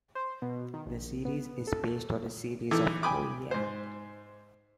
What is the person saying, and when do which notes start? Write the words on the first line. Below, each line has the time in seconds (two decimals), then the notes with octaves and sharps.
The series is based on a series of Oh Yeah!
0.15 C5
0.42 B2
0.74 D#3
0.86 A#1
1.25 B3
1.67 A4
2.71 D#3 E3 A4 D6
3.02 G5 G#5 B5 D6 D#6
3.51 G#2 C5